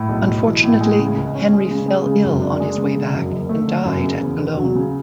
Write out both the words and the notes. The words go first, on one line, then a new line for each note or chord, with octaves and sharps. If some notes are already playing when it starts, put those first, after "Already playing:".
Unfortunately, Henry fell ill on his way back and died at Cologne.
Already playing: A2
B1
B1
E3
A2
G#3
C#3
C#2
C#4
G#3
C#3
G#3
C#3
F#2
D4
G#3
C#3
D3
F#2
F#1
A3
D3
F#2
C#3
E2
E1
F#3
C#3